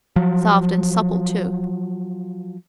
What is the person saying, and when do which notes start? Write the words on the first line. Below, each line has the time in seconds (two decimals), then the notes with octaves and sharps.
Soft and supple too.
0.16 F3 F#3